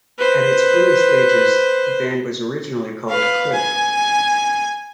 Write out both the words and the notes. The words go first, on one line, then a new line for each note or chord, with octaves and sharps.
At its early stages the band was originally called Cliff.
B4 C5
B4 F5
G#5